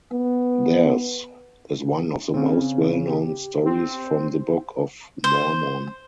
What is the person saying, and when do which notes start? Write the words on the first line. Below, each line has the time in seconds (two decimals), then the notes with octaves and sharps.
Theirs is one of the most well-known stories from the Book of Mormon.
0.13 B3
2.34 C#3 C4 C#4
3.07 G4
3.65 C4
5.24 C5